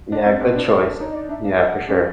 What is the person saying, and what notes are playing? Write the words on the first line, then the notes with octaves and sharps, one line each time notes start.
Yeah, good choice. Yeah, for sure.
D4 D#5
C4 D#5
C4 B4
D4
D#4 C#5
D#5
D5
D4 E5
D4 F5
D4 F#5
C#4